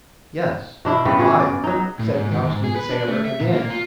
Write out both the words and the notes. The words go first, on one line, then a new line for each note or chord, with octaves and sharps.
"Yes, fire!" said the obstinate sailor again.
B2 D4 E4
A2 C#3 G3 B3
F4 F#4 G#4
D5
F#3 D#4
A2
G#2
D#3
G#2
G#4
B4
D4
A3
E5
A#2
A#3
F4